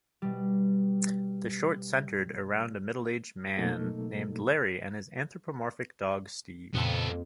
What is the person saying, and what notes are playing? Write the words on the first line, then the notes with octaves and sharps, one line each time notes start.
The short centered around a middle-aged man named Larry and his anthropomorphic dog Steve.
B2 G3
B2 F#3 A3 A#3 D#4 A4
F2 A#2 C#3 B3 A4